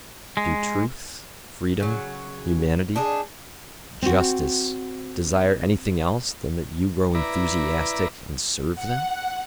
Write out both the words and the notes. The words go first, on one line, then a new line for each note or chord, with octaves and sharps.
Do truth, freedom, humanity, justice, desire anything else than that you grow enthusiastic and serve them?
G#3
C#3 F#3
D4 D#4 F#4 G#4
C4 F#4
E4 B4 D5 A#5
F#5